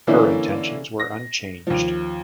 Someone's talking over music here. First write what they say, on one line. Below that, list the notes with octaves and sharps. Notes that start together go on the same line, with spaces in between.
Her intentions were unchanged.
D3 E3 A#3 C#4 E4
A#6
D#2 F3